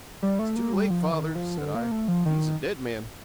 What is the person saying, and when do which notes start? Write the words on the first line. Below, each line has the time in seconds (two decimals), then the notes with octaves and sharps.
'It's too late, father,' said I; 'he's a dead man.
0.23 G3
0.39 A3
0.56 A#3
0.73 G3
0.90 F3
1.12 D#3
1.35 F3
1.58 D3
1.75 A#3
1.91 A3
2.08 F3
2.25 D#3